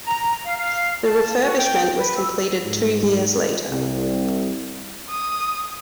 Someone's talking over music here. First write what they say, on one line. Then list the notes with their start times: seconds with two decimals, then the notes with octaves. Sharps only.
The refurbishment was completed two years later.
0.05 A#5
0.45 F5
0.58 F5
1.05 A5
1.43 F#4
1.57 G5
1.97 B4
2.16 E6
2.64 G#2
3.69 C2
5.10 D#6